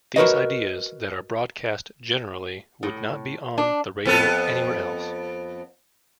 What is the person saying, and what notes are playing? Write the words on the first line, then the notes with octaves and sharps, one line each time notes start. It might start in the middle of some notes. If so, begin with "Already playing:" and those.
These ideas that are broadcast generally would not be on the radio anywhere else.
F#4 A#4 B4 C#5 D#5
A2
D4
F2 B3 A4